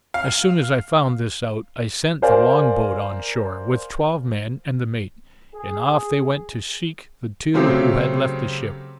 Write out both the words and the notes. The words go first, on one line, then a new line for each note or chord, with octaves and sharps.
As soon as I found this out, I sent the long-boat on shore, with twelve men and the mate, and off they went to seek the two who had left the ship.
F5
A#4 C5 D5 F5 G#5
G#4
C#3 F#3 A3 C4 G4